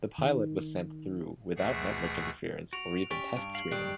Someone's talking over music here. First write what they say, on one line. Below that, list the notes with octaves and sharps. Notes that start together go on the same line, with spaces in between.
The pilot was sent through without network interference or even test screenings.
D#3
D2 B2 E3 A3 G#4 F#5
F#4 D7 F7
C#4 G4 B4 D5 C#6
G2 D7
F5 F#7
G2 D#3 G3 D#6 F#6 C7